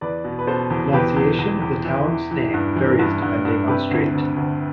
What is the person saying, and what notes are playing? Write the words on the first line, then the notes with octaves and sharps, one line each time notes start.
Pronunciation of the town's name varies depending on street.
E2 B4 D5
B2
B4
B2 A4 C5
E2
E2 G4 B4
E2
E2
E2
E3
E3
E3
G2
E3
G2
G2
G2
C3 G4 B4
D2
D2
D2